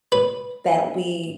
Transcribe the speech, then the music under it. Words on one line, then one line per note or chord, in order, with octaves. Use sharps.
that we
B4